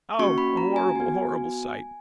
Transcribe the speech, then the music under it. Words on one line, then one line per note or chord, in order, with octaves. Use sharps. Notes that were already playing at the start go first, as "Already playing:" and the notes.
O! a horrible, horrible sight!'
A#3 C#4 F#4 C#6
B5
A#5
G#5
B3 F#4